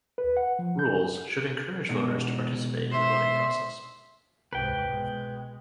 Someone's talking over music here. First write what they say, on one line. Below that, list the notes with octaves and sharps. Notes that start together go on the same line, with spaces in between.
Rules should encourage voters to participate in the voting process.
B4
F#5
F3
G6
B2 G#3 D#4
C5 E5
C2 G#2 B4 G5
B2 G#3